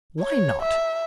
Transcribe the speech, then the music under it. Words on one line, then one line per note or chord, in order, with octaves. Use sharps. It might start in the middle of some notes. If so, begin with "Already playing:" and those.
"Why not?"
C#5
E5